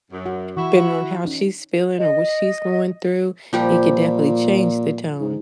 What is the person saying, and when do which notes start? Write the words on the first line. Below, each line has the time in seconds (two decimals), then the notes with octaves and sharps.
depending on how she's feeling, or what she's going through, it could definitely change the tone.
0.11 F#2
0.26 F#4
0.57 E3 E4 F#4
1.25 C#4 D#4
1.99 D#5
3.53 A#2 F3 G3 G4
5.20 G#2